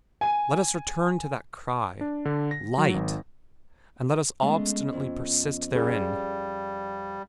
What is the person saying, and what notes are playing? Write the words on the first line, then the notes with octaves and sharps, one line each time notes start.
Let us return to that cry: Light! and let us obstinately persist therein!
G#5
D4
D3
A#6
F#3
G#1
G#3 A3 B3 C#4 D#5
F2
G3 C#4 G#4 D5 F5